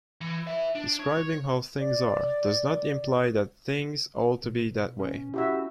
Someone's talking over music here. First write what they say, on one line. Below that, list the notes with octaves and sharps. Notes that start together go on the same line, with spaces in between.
Describing how things are does not imply that things ought to be that way.
E3
B4 E5
D4
C#5
D5
B2
C#4
E4 F#4 G4 E5